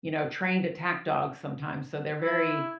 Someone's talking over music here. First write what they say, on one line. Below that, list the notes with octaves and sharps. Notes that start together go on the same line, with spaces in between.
you know, trained attack dogs sometimes, so they're very
E4